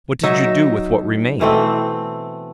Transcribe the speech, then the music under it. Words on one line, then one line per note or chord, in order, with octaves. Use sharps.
"What did you do with what remained?"
F#3 D#4 E5
B2 E3 A3 C4